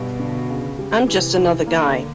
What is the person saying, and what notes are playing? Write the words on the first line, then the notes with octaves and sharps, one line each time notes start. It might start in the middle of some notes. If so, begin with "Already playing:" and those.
I'm just another guy.
Already playing: G2 B2
D3
C#3
G3
C3 E3
E3
D3 A#3